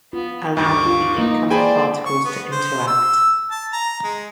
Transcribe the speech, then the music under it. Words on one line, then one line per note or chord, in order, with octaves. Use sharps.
Allowing the incoming particles to interact.
B3 F4
D2 G2 C#6 D6
F4
A#3 D#4
G#4 C5 D5 G5 G#5 B5
C#6
B3
C5
E6
A5
A#5
G#3